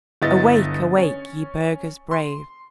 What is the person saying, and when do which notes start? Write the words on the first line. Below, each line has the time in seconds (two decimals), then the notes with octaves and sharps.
Awake, awake, ye burghers brave!
0.22 G1 B3 E4 D#5 A6
0.97 C#4
2.11 C6